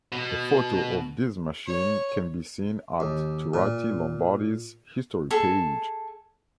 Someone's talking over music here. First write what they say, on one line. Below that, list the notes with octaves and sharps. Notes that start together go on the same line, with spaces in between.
A photo of this machine can be seen at Turati Lombardi's history page.
B2
C#5
D#2
A#2
G#4 A4